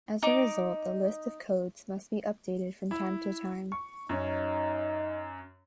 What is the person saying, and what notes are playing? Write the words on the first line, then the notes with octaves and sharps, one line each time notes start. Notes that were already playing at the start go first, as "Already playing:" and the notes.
As a result, the list of codes must be updated from time to time.
D#4 D6
E4
C#6
F#2 C#4 D#4